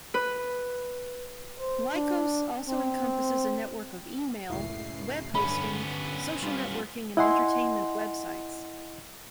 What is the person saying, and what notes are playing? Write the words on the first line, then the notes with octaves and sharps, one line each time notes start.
Lycos also encompasses a network of email, webhosting, social networking, and entertainment websites.
B4
C5
D4
C4
C#2 F#2 A2 C7
G2 D3 B3 C#4 B5
G3 F4
E4 D#5 F#5 G#5 C6